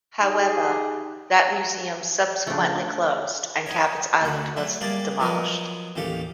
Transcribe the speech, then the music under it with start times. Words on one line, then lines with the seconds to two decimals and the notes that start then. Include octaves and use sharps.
However, that museum subsequently closed and "Cabot"s island was demolished.
0.21 D#4 G4 G#4
2.47 C#3 F3 A3 D4 F4
3.66 D#4 C#5
4.21 D2 F#5
4.57 F#3 A3 E5
4.81 G3 A#3 G#4 D5 A5
5.19 F3 F#3 B3 A#4 D#5
5.96 A1 D#2 G4 A4 F5